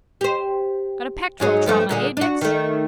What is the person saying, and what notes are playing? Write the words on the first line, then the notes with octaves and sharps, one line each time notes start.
Got a pectoral trauma, eh, Dix?
G4 C5
G#2 F#3 G#4
G2 F3 A3
A#2 D3 G#4
D4 F#4
D#3 A3